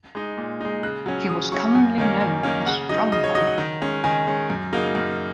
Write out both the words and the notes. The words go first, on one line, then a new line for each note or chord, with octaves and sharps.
He was commonly known as Strongbow.
G#3 D#4
A#2
G#3 D#4
C#3 F#6
F#3 C#4
C#3 D#6
F#3 C#4 C#6
F#2 G#5
D#3 A#3 C#4
F#2 G#5
D#3 A#3 C#4
C#3 F#5
F#3 D#4 D#5
C#3 D#5
C#5
F#3 D#4 D#5
F#5
D#3
G#3 C#4
D#3 G#5
G#3 C#4
F#2
C#3 F#3 A#3 D#4
F#2